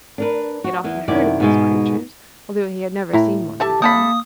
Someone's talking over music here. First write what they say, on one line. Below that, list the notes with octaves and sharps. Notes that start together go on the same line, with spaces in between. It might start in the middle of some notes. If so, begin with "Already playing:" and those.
He had often heard of these creatures, although he had never seen one before.
D4 A#4 B4
F#4
E2 E3
F#2 C3 D#3 E4 D5
G#2 B2 G#3
A2 E4 A#5
G4 A4 E5 A5
C3 A#3 A4 B5 D#6